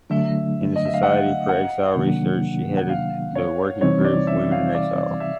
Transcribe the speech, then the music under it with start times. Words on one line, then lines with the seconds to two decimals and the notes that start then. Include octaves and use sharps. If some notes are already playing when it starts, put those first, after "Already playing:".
In the "Society for Exile Research" she headed the working group "Women in Exile".
0.10 D3 F#3 A3 D4 E5
0.76 D#5
0.85 E5
0.94 F5
1.03 F#5
1.49 F#5
1.96 C3 D#3 F#3 A#3 D4
2.77 F#5
2.89 F5
3.35 C#5
3.81 C3 E3 G3 C4 D#4 C#5
4.05 D5
4.27 E5
4.52 F5
4.75 D5
5.20 E5